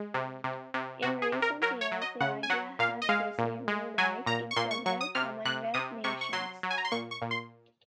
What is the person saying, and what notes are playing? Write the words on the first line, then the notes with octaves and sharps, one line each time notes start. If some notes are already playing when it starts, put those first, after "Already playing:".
In recent years, the idea has received new life in several Commonwealth nations.
Already playing: G#3
C3
C3
C3
C3 F#4
G#4
C3
A#4
F#3 A#4
C#5
F#3
D#5
C#3 F#5
G#5
F#3 F#5
A#2 F5
D#5
G#3 F5
A#2
G#3
F#3 G#5
A#2 A#5
C#6
A#2 C6
C#6
F#3 C#6
D#6
C3 F6
C3 F#6
C3 D#6
C3 C#6
C#6
F#3 C6
F#3
G#5
A#5
C6
A#2 C#6
C#6
A#2
C6